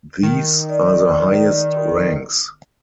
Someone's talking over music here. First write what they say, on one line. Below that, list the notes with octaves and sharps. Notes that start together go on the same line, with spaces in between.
These are the highest ranks.
D#3
D5